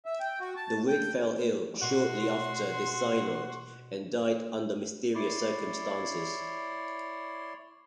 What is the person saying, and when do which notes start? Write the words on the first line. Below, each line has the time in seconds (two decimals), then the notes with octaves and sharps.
Dawit fell ill shortly after this synod, and died under mysterious circumstances.
0.06 E5
0.20 G5
0.40 F#4
0.56 A5
0.88 G5
1.82 B2 F#4 C6
5.15 E4 C#5 D5 C6